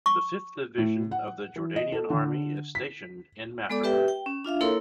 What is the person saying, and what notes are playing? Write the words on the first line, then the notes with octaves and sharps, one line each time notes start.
The fifth division of the Jordanian Army is stationed in Mafraq.
C#6
A2
F#5
E3
D#5
A4
D3
B6
G#3 B3 A4 D5 D6
G4 B4 E5 G5
G5
C#4
D4 F4 E5 F5
A#3 E4 A4 A#4 C#5 C6